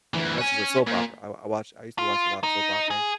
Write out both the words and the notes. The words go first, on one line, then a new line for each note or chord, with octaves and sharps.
unless it's a soap opera, I I watch I used to watch a lot of soap operas.
D2 E3
C#5 G#5
A#2
F4
D#4
G#4